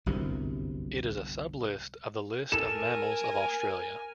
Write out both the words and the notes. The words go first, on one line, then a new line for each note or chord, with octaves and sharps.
It is a sub-list of the list of mammals of Australia.
G1 C2 F#2 C3
A4 A#4 G#5 E7